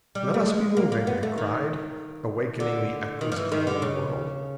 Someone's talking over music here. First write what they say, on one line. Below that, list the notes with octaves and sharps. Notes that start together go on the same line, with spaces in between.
"Let us be moving," I cried, awakening the echoes of the old world.
G3
A3
G#3
A#3
A#3
B3
A3
D#3
D3
D#3
F3
E3
D#3
D3
C#3